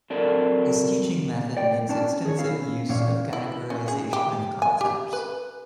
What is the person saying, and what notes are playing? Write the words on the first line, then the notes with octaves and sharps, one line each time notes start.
His teaching method makes extensive use of categorization of concepts.
F#3 C4 A4 A#4 D5
D5 G5
C#4 D4 A5
G#4 C#5
C#4 E4 F5
A#2 E3 C#4 C#5 F5
E4
C#4
G#4
G4
G#5
G4
B4